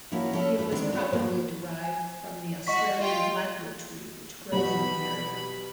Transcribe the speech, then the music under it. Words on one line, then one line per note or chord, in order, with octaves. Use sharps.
It was probably derived from the Australian Blackwood tree which grows in the area.
F3 A#3 C#4 E4 F#4
C#4 A4 E5
E2 G2 A3 B4
D3 D#3 G#3 B3 C4 D4
B3 F4 G#4 A4 C#5
G2 B2 F3 F#3 A#3 D4
G#5
F#4 D#5 C#6 B6
F4 D#5 G5
B2 F#3 G3 F#4 B5